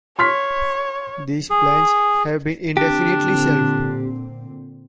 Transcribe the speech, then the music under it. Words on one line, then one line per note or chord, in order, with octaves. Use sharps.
These plans have been indefinitely shelved.
C#5 C6 F6 B6
G#4
A#2 D3 C4 D4 G4